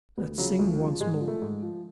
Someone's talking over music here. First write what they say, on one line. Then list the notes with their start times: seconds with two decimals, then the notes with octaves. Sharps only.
Let's sing once more!
0.17 D2 B3
0.38 C#3 F3 F#3
0.59 D2 F3
0.80 C#3 F3
1.00 G#2 G#3
1.21 F3
1.28 A3
1.42 G#2
1.63 F3